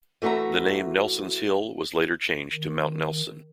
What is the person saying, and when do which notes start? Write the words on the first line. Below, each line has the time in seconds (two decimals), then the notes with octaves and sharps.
The name 'Nelson's Hill' was later changed to Mount Nelson.
0.22 E3 A3 F#4 E5 A#5
2.54 D#3